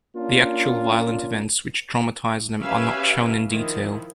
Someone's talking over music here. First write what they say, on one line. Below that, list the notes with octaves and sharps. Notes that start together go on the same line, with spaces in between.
The actual violent events which traumatise them are not shown in detail.
A#3 C#4 D4 F4
C#4 G4 B4 E5 F5 G#5
D#3 F3 E4